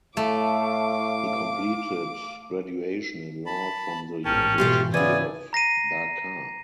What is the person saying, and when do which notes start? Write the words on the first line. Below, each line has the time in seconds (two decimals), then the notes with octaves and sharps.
He completed graduation in law from the University of Dhaka.
0.17 A2 A3 F5 D6
3.46 A5 B5
4.25 A1 G#2 C#4 A#4 G5 A5
4.58 G#2 B2 E3 A3 F4 G4 G5 C6
4.94 C#3 E3 B3 E4 F4 D5 G#5
5.53 A#5 A#6 C7 D#7